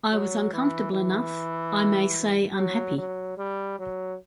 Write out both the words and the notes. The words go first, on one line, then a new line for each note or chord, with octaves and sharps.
I was uncomfortable enough, I may say unhappy.
F#3
E3
E3
F#3
F#3
G3
F#3